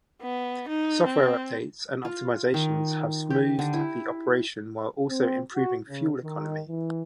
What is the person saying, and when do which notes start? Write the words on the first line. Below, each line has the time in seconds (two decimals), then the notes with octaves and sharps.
Software updates and optimisations have smoothed the operation while also improving fuel economy.
0.22 B3
0.68 D#4
1.06 C4
2.05 F4
2.54 D#3
3.30 G4
3.59 D3
3.73 E4
5.09 C4
5.54 F#4
5.88 C#3
6.23 D#3
6.68 E3